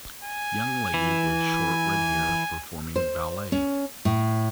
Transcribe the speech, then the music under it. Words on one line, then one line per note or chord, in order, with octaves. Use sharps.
Young lady with short redhair performing ballet.
G#5
E3
C5
C#4
A2